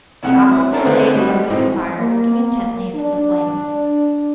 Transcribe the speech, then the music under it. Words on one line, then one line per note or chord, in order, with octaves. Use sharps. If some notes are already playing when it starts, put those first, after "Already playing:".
The officer lay in front of the fire looking intently into the flames.
C2 F2 F#5
F#3 E4
C4 C#4 A4 A#4
D3 D#3 A3 B3 C4
G3 G#3 F#4
A2 E3 C4 D#4
A#3
D4